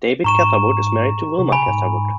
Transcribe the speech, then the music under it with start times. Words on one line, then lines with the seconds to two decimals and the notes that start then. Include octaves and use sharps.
David Catherwood is married to Wilma Catherwood.
0.24 G#2 A#5 C#6 E7
1.39 C3
1.52 G#5 B5
1.68 G#2